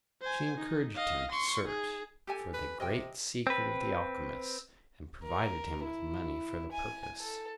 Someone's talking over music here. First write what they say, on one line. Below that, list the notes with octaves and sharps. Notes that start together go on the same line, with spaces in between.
She encouraged him to search for the great secret of the alchymists, and provided him with money for the purpose.
C5 G#5
D#4
D#5 F5
C6 C#6
D#4 G#4
G4 A4 G#5
B4
C3 D#5 G5
C4 B4
A#4
E4
G#5
A4